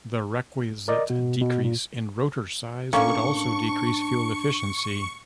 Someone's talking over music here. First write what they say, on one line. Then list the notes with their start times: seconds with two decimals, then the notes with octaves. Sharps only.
The requisite decrease in rotor size would also decrease fuel efficiency.
0.88 A#4 D5 D#5
1.10 B2
1.41 B2
1.64 A#2
2.93 A2 A#3 C#4 D4 C#6